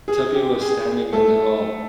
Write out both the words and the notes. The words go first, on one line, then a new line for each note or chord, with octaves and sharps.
Tuppy was standing in the hall.
G#4
G4
G#4
A3 A4